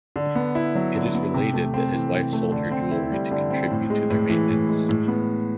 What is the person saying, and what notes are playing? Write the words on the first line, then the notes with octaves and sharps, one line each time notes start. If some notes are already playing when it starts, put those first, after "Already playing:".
It is related that his wife sold her jewelry to contribute to their maintenance.
D3
B3
E4
F#3
D3
B3
C3
A3
C4
E3
C3
A3
D3
C4
E4
G3
D3
C4
A2
G#3
A2
E3
A2
G#3
A2
B3